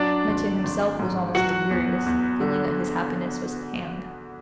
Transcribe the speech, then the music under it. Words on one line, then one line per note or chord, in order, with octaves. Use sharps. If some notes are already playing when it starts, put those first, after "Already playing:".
Mitya himself was almost delirious, feeling that his happiness was at hand.
Already playing: F#3 D4 D5
G#1
G#1
G#2
F#3 F#4 F#5
E2
E2
D3